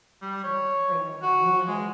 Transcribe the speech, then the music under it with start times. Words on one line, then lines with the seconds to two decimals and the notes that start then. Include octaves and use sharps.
to bring over a meal,
0.22 G3
0.44 C#5
1.22 F#4
1.67 G#3